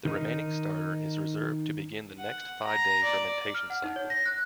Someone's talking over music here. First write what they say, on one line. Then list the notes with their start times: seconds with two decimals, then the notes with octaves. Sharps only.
The remaining starter is reserved to begin the next five-day fermentation cycle.
0.05 D#3 D#4
2.19 F#5
2.65 A#5
3.04 D5
3.55 F6
3.70 F#5
3.84 D#4
3.96 C#5
4.10 A#6
4.26 F#6